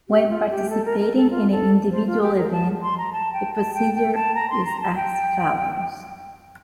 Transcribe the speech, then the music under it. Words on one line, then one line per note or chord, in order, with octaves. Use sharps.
When participating in an individual event, the procedure is as follows.
G4
F4
G4
A4
A#4
A#4
A4
F4
A4
C5
F4
G4
A#4
A5
C6
A#5
A5
G5
A5
G5
G5
A5
A#5
C6
A#5
A5
G5